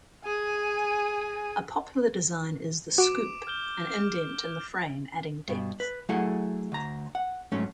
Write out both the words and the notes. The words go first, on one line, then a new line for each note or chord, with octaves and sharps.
A popular design is the scoop, an indent in the frame adding depth.
G#4 G#5
F#4 D6 D7 E7
F6 G6 G7
G2 B2
B4
F#3 A3 E4 G#4 A4 F#5
D2 A#5
F#5
G#2 F#3 A3 C#4